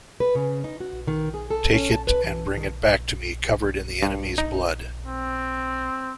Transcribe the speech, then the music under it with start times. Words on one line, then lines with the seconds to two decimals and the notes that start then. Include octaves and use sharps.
Take it and bring it back to me covered in the enemy's blood.
0.20 B4
0.35 C#3
0.64 D#4
0.80 F#4
1.07 D#3
1.34 G#4
1.51 A4
1.73 C#4
1.92 A5
2.07 B4
2.24 E3
2.57 D#3
4.03 G2
4.38 D#4
5.06 C4